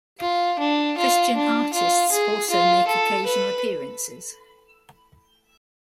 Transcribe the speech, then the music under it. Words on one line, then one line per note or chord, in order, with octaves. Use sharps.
Christian artists also make occasional appearances.
F4
D4
F4
D4
F4
G#4
F4
A4
B4